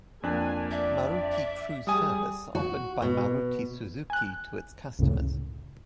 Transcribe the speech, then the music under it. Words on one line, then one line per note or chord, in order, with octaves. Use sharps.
Maruti True service offered by Maruti Suzuki to its customers.
F2 A#3 D4 G#5 F#6
D5 E5
E5
G3 G#4 G#5 D#6
F#4
B2
G#5 F#6
C#2 F#2 A2 C#3